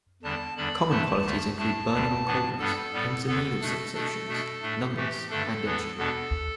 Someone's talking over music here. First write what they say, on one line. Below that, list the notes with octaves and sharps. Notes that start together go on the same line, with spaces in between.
Common qualities include burning or coldness, "pins and needles" sensations, numbness and itching.
E2 D3 G3 D4 A5
E2 D3 G3 D4 B5
G2 D3 A3 D4 A5
D2 D3 A3
A2 A3 D4 A5
D2 D3 G3
A2 E3 B3 D4
G2 G3 B3 D4 A4
A2 G3 B3
E2 D3 B3 A4
B2 A3 D4
B2 A3 D4 A4
B2 A3 D4
A2 A3 D4
A2 E3 A3 G4
G2 D3 A3 D4 A4
E2 E3 B3 D4
E2 B2 B3 D4 A4